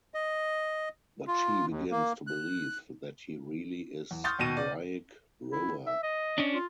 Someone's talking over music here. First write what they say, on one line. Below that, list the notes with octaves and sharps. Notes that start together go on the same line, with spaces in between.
But she begins to believe that he really is Briac Roa.
D#5
F4
D#2
A#3
F#6
E2
C6 C#6 D#6 F6 G6 A6
D#2 B2 A#6 D#7
D5
E4
E5
D#5
C#4 D4
F4